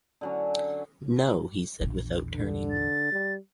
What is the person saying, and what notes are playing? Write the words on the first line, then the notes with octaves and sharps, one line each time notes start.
"No," he said without turning.
D3 F#3 C#4
A#1 E2
D3
A6
G3